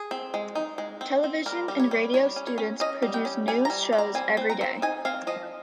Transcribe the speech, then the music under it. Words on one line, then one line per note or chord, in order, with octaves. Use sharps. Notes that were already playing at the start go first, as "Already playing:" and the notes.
Television and radio students produce news shows every day.
Already playing: G#4
C4
G#3
D#4
G#3
C4
C4
G3 A#4
G3
C#5
G3
G3 C#5
C#4
C#5
C#4
C#4 D#5
G3
G5
C#4
G3 G#5
G3 A#5
G3
A#5
C4 G#5
C4
A#5
C4
D#4 G#5
C4 F5
F3 D#5